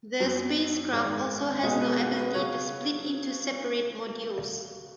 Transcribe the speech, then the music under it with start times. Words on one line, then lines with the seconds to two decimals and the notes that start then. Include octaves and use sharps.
The spacecraft also has no ability to split into separate modules.
0.20 F#2 F#3 B3
0.92 G#1 G#2 D#3
1.63 B1 B2 G#3 B3 D#5
1.81 B4
1.99 F#4
2.17 B4
2.34 C#3 F#3 C#5